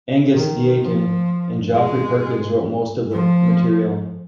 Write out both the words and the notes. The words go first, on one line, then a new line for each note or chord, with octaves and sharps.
Angus Deayton and Geoffrey Perkins wrote most of the material.
D#3
F3
G#3
F3